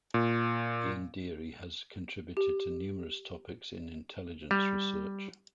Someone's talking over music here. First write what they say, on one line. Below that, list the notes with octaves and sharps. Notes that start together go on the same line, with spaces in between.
Ian Deary has contributed to numerous topics in intelligence research.
A#2
G4
G3